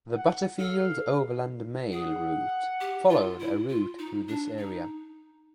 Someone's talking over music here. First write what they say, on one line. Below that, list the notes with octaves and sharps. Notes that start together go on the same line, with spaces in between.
The Butterfield Overland Mail route followed a route through this area.
F#5
A4 F5
G#4 F#5
G4
F4
E4
F4
D#4
D4
D#4